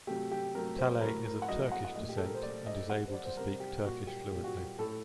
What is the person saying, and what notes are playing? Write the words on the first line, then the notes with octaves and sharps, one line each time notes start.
Talay is of Turkish descent, and is able to speak Turkish fluently.
C3 F#3 A3 G4
G4
C3 F#3 A3 A#4
C5
A2 F#3 A3 A#4
A#4
F#5
A2 F#3 A3 D#5
F#5
F#5
A#2 A3 D#5
G4
A4
A#4
C5
A#2 A3 D5
D#5
C3 G3 F#5
C5
D5
C5
C3 G3 A#4
G4
A#2 G3 F#4
G4
A#2 G3 G4
F#4
G4
A2 A3 A4